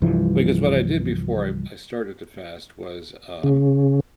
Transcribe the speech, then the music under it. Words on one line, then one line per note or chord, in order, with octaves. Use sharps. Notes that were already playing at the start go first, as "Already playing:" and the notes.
because what I did before I I started to fast was, um,
C2 G2 E3 F3
C#3